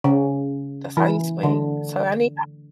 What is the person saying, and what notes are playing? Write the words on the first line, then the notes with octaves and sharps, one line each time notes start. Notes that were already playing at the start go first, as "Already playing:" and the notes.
That's how you swing, so, I need
C#3
E3
D3